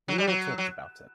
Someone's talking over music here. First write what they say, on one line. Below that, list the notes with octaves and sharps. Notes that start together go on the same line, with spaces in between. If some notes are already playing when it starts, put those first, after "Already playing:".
We all talked about it.
F#3
G3
F#3
F#3